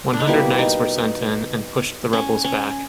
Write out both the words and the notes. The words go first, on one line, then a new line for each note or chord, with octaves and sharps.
One hundred knights were sent in, and pushed the rebels back.
D4
D#4
B2 G3 A#3 E4
D#4
C#4
C#4